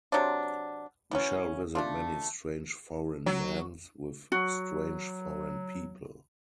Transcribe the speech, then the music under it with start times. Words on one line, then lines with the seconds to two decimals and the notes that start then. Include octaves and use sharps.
We shall visit many strange foreign lands with strange foreign people.
0.12 C3 F#3 C4 D4
1.11 E3 F#3 C#4
1.75 A3 D4 F4
3.26 F#3
4.32 F#3 F#4